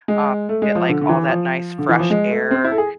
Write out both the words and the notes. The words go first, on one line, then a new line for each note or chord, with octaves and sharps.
um, you get, like, all that nice fresh air
G#3
A3
G#3
F3
D3
D3
E3
F3
D3
E3
F3
G#3
A3
C4
E4
A4
G#4